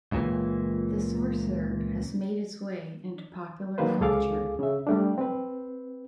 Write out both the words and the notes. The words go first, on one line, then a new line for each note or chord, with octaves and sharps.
"The Sorcerer" has made its way into popular culture.
C#2 A#2 E3
D#3 F#3 A#3 B4 C5
C#2 G#4 A4 F5 D6
C#3 E5
G3 A3 D4
C4 B4